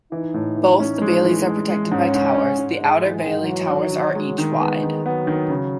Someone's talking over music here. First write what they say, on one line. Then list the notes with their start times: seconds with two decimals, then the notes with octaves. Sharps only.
Both the baileys are protected by towers; the outer bailey towers are each wide.
0.12 E3 D#4
0.34 A2
0.57 E3
0.80 C#4
1.02 G#3
1.24 E3
1.46 G#3
1.69 G#3
1.91 G#2 C#4
2.14 G#2
2.36 G#2
2.58 G#2
2.80 G#2 G#3
3.04 E3
3.11 G#3
3.26 G#2
3.40 F#3
3.48 E3
3.71 D#3
3.93 D#3
4.15 G#3
4.38 D#3
4.60 G#3 B3
4.83 D#3
5.05 F#3 B3
5.27 D#3
5.50 C#3